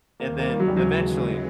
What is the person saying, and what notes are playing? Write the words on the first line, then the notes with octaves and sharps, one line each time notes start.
and then, eventually,
D#2 D#3 G3 A#3
A#3
D#2 C#3 E3 F#3 G#3
G3
F#3